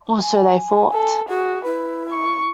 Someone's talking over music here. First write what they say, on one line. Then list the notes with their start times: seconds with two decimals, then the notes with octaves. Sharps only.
Or so they thought.
0.21 G#5
0.93 A4
1.29 F#4 G#4
1.64 E4 B4
2.09 C#6